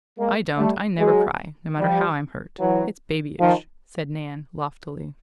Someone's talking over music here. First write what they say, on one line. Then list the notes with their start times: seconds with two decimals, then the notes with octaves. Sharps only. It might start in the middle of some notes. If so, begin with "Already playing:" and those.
"I don't, I never cry, no matter how I'm hurt; it's babyish," said Nan, loftily.
0.18 G#3 A#3
0.58 G3 A3
0.98 F#3 G#3
1.79 F3 G3
2.59 E3 F#3
3.40 D#3 F3